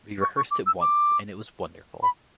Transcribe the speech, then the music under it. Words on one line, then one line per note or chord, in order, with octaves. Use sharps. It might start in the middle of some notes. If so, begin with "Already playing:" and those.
We rehearsed it once and it was wonderful.
C#6
C#6
D6
E6
D6
B5